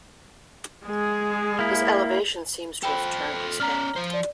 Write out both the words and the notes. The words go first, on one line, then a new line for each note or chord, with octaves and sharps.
His elevation seems to have turned his head.
G#3 G#4
A#3 E4
A4 C5 G5 B5
C#4 D5 A#5 F6
F3 C5
D5